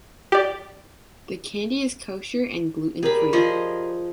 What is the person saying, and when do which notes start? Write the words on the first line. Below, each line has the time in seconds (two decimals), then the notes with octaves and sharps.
The candy is kosher and gluten-free.
0.32 G4 D5
3.03 G4 G#4 A#4 D5 B5
3.33 F3 G#4 D#5